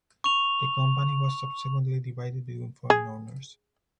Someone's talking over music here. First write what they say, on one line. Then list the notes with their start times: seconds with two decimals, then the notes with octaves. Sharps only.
The company was subsequently divided between foreign owners.
0.24 C#6 F7
2.90 G#4